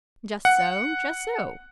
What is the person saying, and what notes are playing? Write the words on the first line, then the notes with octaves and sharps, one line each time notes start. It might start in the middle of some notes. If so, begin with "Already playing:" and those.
'Just so, just so.
F#5